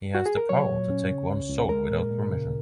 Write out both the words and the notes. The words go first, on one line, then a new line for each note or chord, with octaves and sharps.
He has the power to take one's soul without permission.
F#4
G#4
A#4
F#3 C#5
A#2
C#4
C#3
C#2
C#2
G#3 A#4
A#2
A#2
C#3